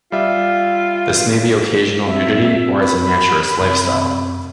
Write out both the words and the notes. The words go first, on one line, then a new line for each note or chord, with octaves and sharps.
This may be occasional nudity or as a naturist lifestyle.
G3 F4 E5
C4 E5
B5
F#2 C3